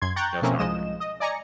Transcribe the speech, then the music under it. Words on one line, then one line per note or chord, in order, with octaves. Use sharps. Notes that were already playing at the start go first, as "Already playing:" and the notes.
No sour cream.
F#2 C6 G#6
G5 A#5 C#6 F#6 G6 A6
B2 F3 A3 A#3 C4 C#4
C2 G#2 F3 G#3 D#5 E7
D#5
D5 D#5 G#5 A#5 A#6 C#7